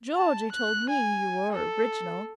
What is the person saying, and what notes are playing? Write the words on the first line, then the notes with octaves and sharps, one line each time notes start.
'Georgey told me you were original.
A5
F#6
G#5
A4